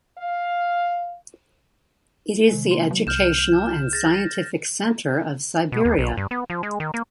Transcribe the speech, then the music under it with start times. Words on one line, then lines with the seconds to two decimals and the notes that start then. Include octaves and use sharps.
It is the educational and scientific centre of Siberia.
0.19 F5
2.48 C3 D#3 G#3
2.71 A#3 C6
2.91 F#3
3.07 C2 F6 G6 E7
3.93 G#4 A6 A#6
5.72 B2
5.85 D#2
5.98 B1
6.17 G2
6.31 B3
6.50 F3
6.63 G#3
6.80 D#3
6.94 A#3